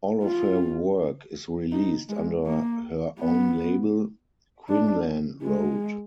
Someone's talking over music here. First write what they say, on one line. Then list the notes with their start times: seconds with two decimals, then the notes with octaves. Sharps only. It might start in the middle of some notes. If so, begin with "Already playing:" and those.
All of her work is released under her own label, Quinlan Road.
0.23 F4
1.72 D#4
2.09 G#3
2.46 A#3
3.20 B3
4.69 D4
5.43 G#3